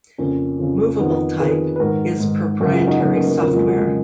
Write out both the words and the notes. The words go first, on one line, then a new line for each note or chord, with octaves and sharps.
Movable Type is proprietary software.
F2 C#3 A#3 C#4
F2 C#3
F2 D#3 B3 D#4
F2 D#3 G#4 B4
B4
G#2 D#3 F#4 A#4
G#2 D#3
F#2 C#3 F#4 A#4
F4 G#4
D#4 F#4
F#2 C#3 B3 D#4
A#3 C#4
F#3 A#3
F2 C#3 F#3 A#3
F3 G#3
F#3
G#3
C#3 F#3